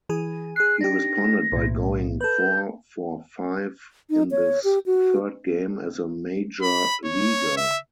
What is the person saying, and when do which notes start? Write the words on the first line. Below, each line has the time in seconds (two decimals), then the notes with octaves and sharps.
He responded by going four-for-five in his third game as a major leaguer.
0.09 E3 G#4 G#5
0.56 G#4 F#6 C7
0.81 D4 D#4 G4 A#6
1.52 B1 A2
2.21 A4 B4 G6
4.10 D#4
4.31 C#5
4.64 G4
4.86 F#4
6.62 B5
7.05 C#5
7.57 E5